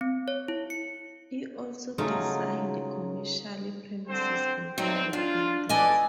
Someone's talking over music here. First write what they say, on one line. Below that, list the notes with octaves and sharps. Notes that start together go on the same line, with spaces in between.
He also designed commercial premises and public buildings.
C4
C#5
E4
C#7
C#3 F#3 A3 D#4 F4
D3 C4 C5
D2 G2 F#3 C4 D#4
D4 F4
A4 B4 D5 D#5 G#5